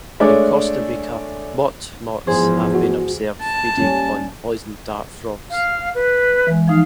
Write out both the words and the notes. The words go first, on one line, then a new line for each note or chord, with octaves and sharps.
In Costa Rica, motmots have been observed feeding on poison dart frogs.
G#3 A3 D4 C#5 D5
E2 G#2 F3 G#4 C5
F#4
A5
G3 A#3 C#4
F5
B4
E3 G#3
F3 D#4 F5